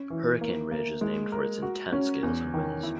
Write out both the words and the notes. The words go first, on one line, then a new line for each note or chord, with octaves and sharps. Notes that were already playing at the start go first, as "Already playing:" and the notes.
Hurricane Ridge is named for its intense gales and winds.
Already playing: C#4
E3
A#3
A#3
G#3
A#4
F#4
C#4
E2
D#3
E4